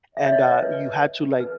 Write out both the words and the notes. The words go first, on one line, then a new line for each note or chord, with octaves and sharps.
and, uh, you had to, like,
E5
C#5
D#5
C#5
B4
B4